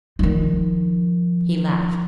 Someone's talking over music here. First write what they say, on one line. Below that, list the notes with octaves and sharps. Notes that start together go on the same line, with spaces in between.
He laughed.
D#3 F3